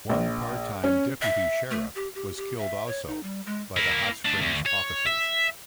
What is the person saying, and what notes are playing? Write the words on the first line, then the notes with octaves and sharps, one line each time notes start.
One part-time deputy sheriff was killed also, by the Hot Springs officers.
A#1
C#4
E5
A3
G4
G4
G4
E5
C#5
D#4
G3
G#3
A#3 E4
D2 D4
D2
C#5
E5